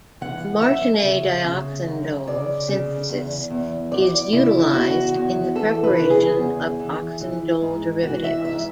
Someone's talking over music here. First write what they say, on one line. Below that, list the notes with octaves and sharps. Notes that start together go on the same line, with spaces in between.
The Martinet dioxindole synthesis is utilized in the preparation of oxindole derivatives.
E3 F#5
F#2 E5
C#3
C#3
F#2
C#3 D5
C#3
E2
E2
E2 D5
C#3 E4
E2 F#4
E2
E3 A4
B4
C#3
G#4
E2
E3
E3
G#2
E3 F#4
E5
G#2 E5